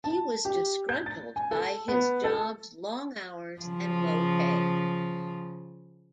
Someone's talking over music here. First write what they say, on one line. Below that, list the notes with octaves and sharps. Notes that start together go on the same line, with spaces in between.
He was disgruntled by his job's long hours and low pay.
A5
G4
G6
A6
G#5
A4
B3
A4
C#3 F3